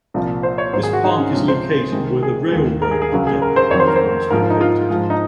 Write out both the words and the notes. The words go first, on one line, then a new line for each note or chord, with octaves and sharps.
This park is located where the railroad depot was once located.
C2 A#2 F3
C5
C#5
G#2 D#3 F#3 C5
G#4
F#4
D#4
C#4
C#2 C3 F3 G#3 C#4
C5
C2 C3 D#3 G#3
G#4
D#2 D#3 G#3
A#4
G#4
G#4
C#2 C#3 F#3
G#4
A#4
C5
F2 D#3 F#3 C#5
C5
A#4
C5
G#2 F3 G#3 A#4
F4
D#4
F4
G#2 F3 G#3
D#4